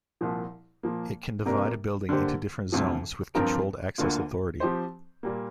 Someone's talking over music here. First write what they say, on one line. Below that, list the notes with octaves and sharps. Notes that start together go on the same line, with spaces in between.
It can divide a building into different zones with controlled access authority.
C2 A#2 F3
A#2 F3 A#3
C3 A#3 D4 G4 A#4
D3 A#3 G4 C5
D2 C3 F3
G2 F3 C4 F4 A#4
D2 D3 A#3 F4
F3 C4 G4 C5
A#2 G3 A#3